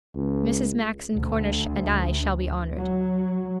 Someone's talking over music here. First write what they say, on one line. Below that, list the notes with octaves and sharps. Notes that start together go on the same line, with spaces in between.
Mrs. Max and Cornish and I shall be honored.'
C#2
D2
F#3